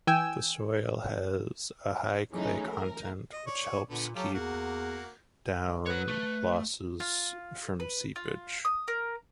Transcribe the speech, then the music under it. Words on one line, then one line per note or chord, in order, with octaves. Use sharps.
The soil has a high clay content which keeps down losses from seepage.
E3 G5 G#5 E6
E3 F#3 G#3 A3 C#4 D#4
A#4
D#5
C#5 D5
A#2 D3 B3
F#3 F4 G4 A4
E2 A#3 F#4
B4 C#5 F#5
A3
F4
B4
F4
D#6
A#4